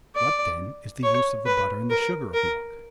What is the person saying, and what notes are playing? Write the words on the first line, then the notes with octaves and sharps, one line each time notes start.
What, then, is the use of the butter and the sugar of milk?
D5
C#5
B4
A#4
A#4